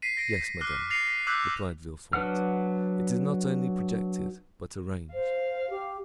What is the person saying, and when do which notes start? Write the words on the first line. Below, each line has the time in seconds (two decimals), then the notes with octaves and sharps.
"Yes, madame," replied Villefort, "it is not only projected but arranged."
0.02 B6 C7 D#7
0.17 A#6 D7
0.60 D6 F6 F#6 A#6 C7
0.90 A6 A#6 C7 C#7 D#7 F7
1.07 B6
1.27 D6 E6 F#6 G6 B6
2.13 F#3 D4 B4 F#5 F6
5.14 C5 F5
5.70 G4